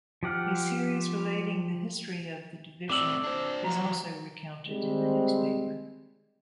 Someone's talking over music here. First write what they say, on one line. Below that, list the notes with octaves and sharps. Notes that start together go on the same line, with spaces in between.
A series relating the history of the division is also recounted in the newspaper.
F3 G4 F#5 F6
A3 C4 D5 D6 E6
D4 C5
F3 F#4 A#5
G3 G#3 C4